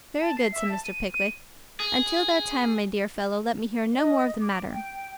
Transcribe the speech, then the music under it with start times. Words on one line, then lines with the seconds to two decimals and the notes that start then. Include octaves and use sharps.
'Very good,' said Mr. Pickwick. 'Until that time, my dear fellow, let me hear no more of the matter.
0.21 A5
0.38 C7
0.52 E5
0.70 A5
0.84 D#7
1.14 D#7
1.80 G#4
3.94 D#5
4.40 D6
4.71 G5